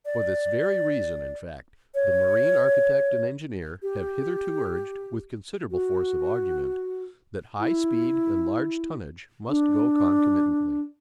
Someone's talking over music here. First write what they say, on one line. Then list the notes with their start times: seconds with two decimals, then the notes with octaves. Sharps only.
For this very reason, in fact, the marine architect and engineer have hitherto urged, with considerable force of argument, that high speed and large tonnage must go concomitantly.
0.06 D5
1.95 C#5
3.83 G4
5.71 F#4
7.60 E4
9.49 D4